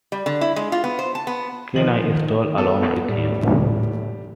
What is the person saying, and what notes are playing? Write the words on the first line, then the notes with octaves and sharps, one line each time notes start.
Can I stroll along with you?
G3
D3
E4
G#3
F4
B3
C5
A5
B3
D#3 F3 D#5 F#7
B3 A4
A2 G3